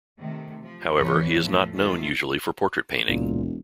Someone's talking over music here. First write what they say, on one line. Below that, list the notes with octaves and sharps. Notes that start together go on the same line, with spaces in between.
However, he is not known usually for portrait painting.
C3 D#3 A3
F3
E2 G#2 E3 B4 C#5
A2 F3 A3
D#3 G#3 A3 F4
E1 C#2 A#2